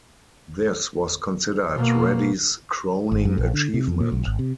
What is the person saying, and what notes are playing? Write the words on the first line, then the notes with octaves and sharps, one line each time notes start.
This was considered Reddy's crowning achievement.
B2 A#3
G#1
F#2
A#1
D3
C3
F2
A#2
B1
G#1
C3